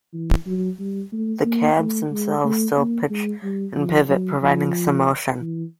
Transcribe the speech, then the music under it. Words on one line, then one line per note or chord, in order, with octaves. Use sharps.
The cabs themselves still pitch and pivot, providing some motion.
E3
F#3
G3
A3
A#3
A3
G#3
A3
A#3
G#3
G3
F3
F#3
F3
E3